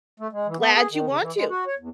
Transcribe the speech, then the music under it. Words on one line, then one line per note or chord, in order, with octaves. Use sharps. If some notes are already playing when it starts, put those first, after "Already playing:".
Glad you want to,
A3
G#3
E3
B3
G#4
D#3
C#3
E3
G#3
F#4
C#5
E2